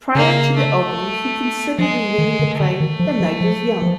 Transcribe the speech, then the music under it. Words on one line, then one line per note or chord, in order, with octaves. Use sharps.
Prior to the opening, he considered renaming the play "The Night is Young".
C#3 A#3
A3
F3 G#3
D#3
D3
D3 A3
D#3
F3
F3
F3
F3